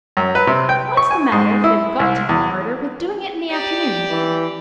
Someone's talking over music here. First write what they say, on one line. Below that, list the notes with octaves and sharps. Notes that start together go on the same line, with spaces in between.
What's the matter, if they've got to have a murder, with doing it in the afternoon?
F#2
B4
C3
G5
C#6
G#5
G#2
E4
C2
E2
G4 D5
E3